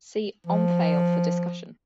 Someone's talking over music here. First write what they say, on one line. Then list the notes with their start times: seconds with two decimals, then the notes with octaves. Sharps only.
See Omphale for discussion.
0.47 F3